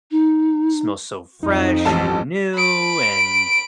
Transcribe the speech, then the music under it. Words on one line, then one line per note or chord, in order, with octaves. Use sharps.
smells so fresh and new, and,
D#4
F2 D#4
A1 A5
B5 D7